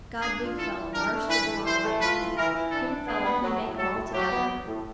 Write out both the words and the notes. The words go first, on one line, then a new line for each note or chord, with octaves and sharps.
God big fella marster belong white man, him fella He make ’m altogether.
D4 G#4
F4
E3 A4
E3
D4 A#4
A3
E3 B4
A3
E3 C5
A3
F4 B4
E3
E3 A#4
E3
D4 A4
D4
B3 G#4
B3
F#3
A2
F#3 A4
A2
F#3 G4
B3
F#3
A2